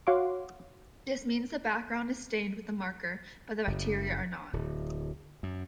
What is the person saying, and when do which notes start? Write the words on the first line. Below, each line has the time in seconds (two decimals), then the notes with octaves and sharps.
This means the background is stained with the marker, but the bacteria are not.
0.07 F#4 C#5 F5 F#5 C6 D6
3.67 F#1
4.53 D1
5.43 F#2